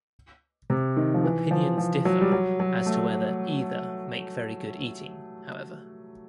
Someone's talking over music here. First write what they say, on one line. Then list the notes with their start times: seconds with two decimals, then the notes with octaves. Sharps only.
Opinions differ as to whether either make very good eating, however.
0.70 C3
0.97 D#3
1.14 F3
1.24 E3
1.51 F3
1.78 F3
2.05 F#3
2.21 G3
2.32 F#3
2.60 F#3
2.86 A3